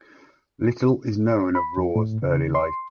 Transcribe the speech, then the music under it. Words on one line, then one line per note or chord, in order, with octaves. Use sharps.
Little is known of Rore's early life.
B5
F2
A2
C#3
C6